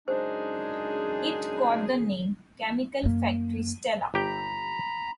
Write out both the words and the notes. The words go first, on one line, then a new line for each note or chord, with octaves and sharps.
It got the name Chemical Factory Stella.
F#2 C#3 G#3 D4 D#4 G#4 C5
F#2 A#3
G1 G4 G5 A#5 B5